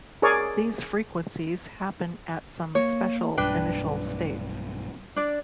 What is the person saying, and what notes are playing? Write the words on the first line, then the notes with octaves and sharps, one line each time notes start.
These frequencies happen at some special initial states.
G#4 A#4 C#5 D5
A#3 C#5
B1 G2 D4 B4 G5
D4 D5